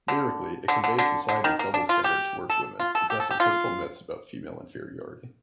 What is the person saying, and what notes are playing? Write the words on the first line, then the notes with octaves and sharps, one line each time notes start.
Lyrically, it conveys society's double standard toward women, addressing hurtful myths about female inferiority.
D3
D3
D3
D3
D3
D#3
A#3
D4
F4
G4
A4
F4
A4
G4
A4
G4
F4